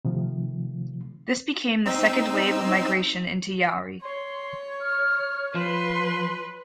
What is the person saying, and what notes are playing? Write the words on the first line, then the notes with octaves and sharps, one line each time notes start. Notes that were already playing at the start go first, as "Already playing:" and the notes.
This became the second wave of migration into Yauri.
C3 D#3 F3 A3
C4 D#4 E6
C#5 C6
F6
F3 B4 C6